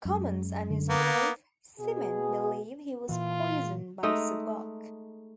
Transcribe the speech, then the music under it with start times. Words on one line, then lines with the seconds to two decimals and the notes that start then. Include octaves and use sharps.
Commons and his wife, Simin, believe he was poisoned by Savak.
0.05 F#2 G#3
0.70 D3
0.89 A#3 B3
1.78 B2 G#4
3.09 A#2 E3 F4
4.03 G#3 A3 D#4